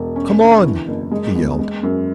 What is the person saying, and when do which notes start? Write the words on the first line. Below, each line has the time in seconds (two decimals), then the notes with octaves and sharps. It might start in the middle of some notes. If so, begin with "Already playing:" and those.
"Come on!" he yelled.
Already playing: E1
0.16 C#4
0.40 D3
0.64 E3
0.87 F#1
1.11 G#3
1.35 E2
1.59 G#3
1.83 F#2